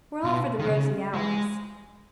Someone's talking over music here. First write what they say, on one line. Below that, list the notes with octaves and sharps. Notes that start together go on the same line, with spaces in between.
We're all for the rosy hours.'
B2
D#3
C#3
G#3